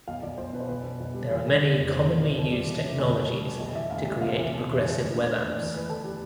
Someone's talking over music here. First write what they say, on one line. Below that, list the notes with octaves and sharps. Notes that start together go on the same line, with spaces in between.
There are many commonly used technologies to create progressive web apps.
B1 F5
B1 D5
B1 C5
B2 B4
C5
B1 B4
B2
B1
G3
E2
G3
D3
F1
B2 C5
B2
C2 D5
B2
G3 D5
E3
C3
D2
B2 D5
G3
G3
B1
E3 E5
D2 F5
G3
C3 F5
E2 E5
B2
E2
E2
D2
D3
D2
D2
E2 D5
E2 B4
E2 A4
G4